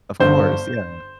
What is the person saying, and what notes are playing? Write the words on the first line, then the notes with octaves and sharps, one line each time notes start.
Of course, yeah.
G1 G2 D3 C5